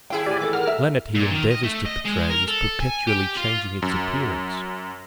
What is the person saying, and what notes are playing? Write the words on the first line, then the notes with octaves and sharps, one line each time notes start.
The Planet he endeavours to portray is perpetually changing its appearance.
D#2 E4 G#4 F5 G5
D2 G4 D5 G#5
E3 A4 D6
A#4 F#5 F6
E5
A#2
D#3
D#5
A3
D#5
G#3
A#4
A4
G#5
G4
F4
F#2